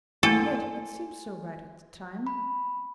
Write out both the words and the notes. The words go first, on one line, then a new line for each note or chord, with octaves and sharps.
And yet it seemed so right at the time.
A3 A#3 E4 A4 G#5 C6
B5